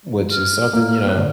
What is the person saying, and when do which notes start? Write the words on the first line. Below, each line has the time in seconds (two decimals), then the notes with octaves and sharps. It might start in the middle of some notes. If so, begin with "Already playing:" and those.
which is something, you know,
0.31 F6
0.73 A#3
1.06 C4 C#5 F#6
1.17 D3